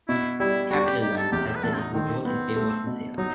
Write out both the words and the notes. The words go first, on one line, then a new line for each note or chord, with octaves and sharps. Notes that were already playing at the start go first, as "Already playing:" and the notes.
CapitaLand has said it will vote in favor of the sale.
B2 E4
G3 E4
G3 F#4
G4
D#4 G4
A4
E2 G4
G4
B4
E2 A4
C4
D#4
D#3 C4
B3 C4
A3
B2
F#3 D#4